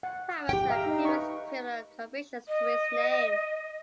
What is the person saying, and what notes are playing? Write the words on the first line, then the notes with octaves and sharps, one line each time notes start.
Thomas had previous criminal convictions to his name.
F#5
G4 G5
E5 F5 A#5
D#4
B4 C#6
D#5